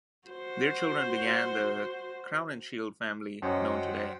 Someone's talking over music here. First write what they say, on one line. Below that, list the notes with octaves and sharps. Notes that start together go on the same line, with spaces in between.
Their children began the Crowninshield family known today.
F#4 C5
F#2 F#4 C5 C#5 D#5 F#5 G5